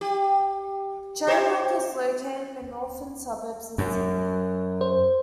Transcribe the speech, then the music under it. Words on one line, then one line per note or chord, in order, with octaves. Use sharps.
Cherrybrook is located in the Northern Suburbs of Sydney.
G4
G4 C5 C#5
F#2
C5